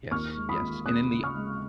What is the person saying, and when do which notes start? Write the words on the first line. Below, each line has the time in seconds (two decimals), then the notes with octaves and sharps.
Yes, yes. And in the
0.11 D#2 C#6 F6
0.36 G#3
0.49 B5 D#6
0.61 D#2
0.86 D#2 D#6 F#6
1.11 C#3
1.24 C#6 F6
1.35 G#3